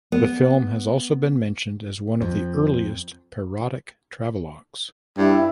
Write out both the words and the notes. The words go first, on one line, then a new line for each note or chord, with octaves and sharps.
The film has also been mentioned as one of the earliest parodic travelogues.
B3
F2
G2 E4